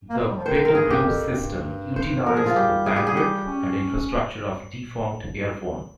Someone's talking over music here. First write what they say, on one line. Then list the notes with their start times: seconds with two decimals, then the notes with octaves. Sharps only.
The "BetaBlue" system utilized the bandwidth and infrastructure of defunct Airfone.
0.10 A#3
0.18 G#3
0.28 G3
0.37 F3
0.44 D#3 C5
0.55 C5
0.65 A#4
0.75 G2 G#4
0.90 G4
1.06 F2
1.35 G2
1.96 C5
2.26 F3 A#4
2.37 G#4
2.46 F4
2.56 G3 G4
2.86 G#4
2.96 G4
3.07 G#4
3.17 G4
3.46 C#4